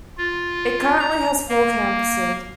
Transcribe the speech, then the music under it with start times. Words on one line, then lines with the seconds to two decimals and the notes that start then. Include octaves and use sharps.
It currently has four campuses.
0.17 F4
1.00 A#5
1.49 A#3